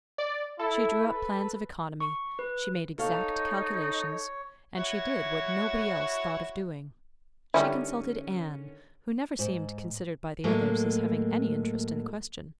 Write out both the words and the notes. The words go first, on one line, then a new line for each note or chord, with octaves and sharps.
She drew up plans of economy, she made exact calculations, and she did what nobody else thought of doing: she consulted Anne, who never seemed considered by the others as having any interest in the question.
D5
E4 A4
B4
C#6
B4
D#4 A4 C#5 F5
E4 F#4 C#5
D3 D#3 G3 C#4 E4
G#2
A2 F#3 G#3 A#3